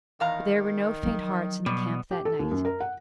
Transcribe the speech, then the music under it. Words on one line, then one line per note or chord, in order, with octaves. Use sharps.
But there were no faint-hearts in the camp that night.
E2 D#3 F5 A#5
F3 F#3
B2 G3
G4
A4
D#2
F#2
A#4
F#5